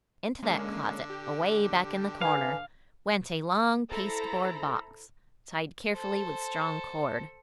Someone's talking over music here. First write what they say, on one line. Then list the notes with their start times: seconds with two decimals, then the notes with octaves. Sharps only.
Into that closet, away back in the corner, went a long pasteboard box, tied carefully with strong cord.
0.43 D3 G#3 A#3 C#4
1.10 G4
2.21 B4 F5 G#5
3.90 E4 A4 C5 A#5 B5
5.92 A4 C5